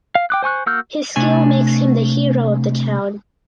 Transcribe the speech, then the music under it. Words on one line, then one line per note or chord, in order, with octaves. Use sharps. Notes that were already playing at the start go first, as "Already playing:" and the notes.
His skill makes him the hero of the town.
F5
G5 D6 F#6
C5 G#5 C#6 F#6
A#3 F#4 E6 F6 G6
C3 A3 D4 G#5